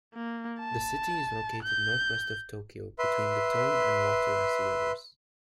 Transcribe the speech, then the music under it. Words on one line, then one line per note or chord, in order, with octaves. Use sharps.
The city is located northwest of Tokyo between the Tone and Watarase rivers.
A#3
A5
G6
B4 E5 C6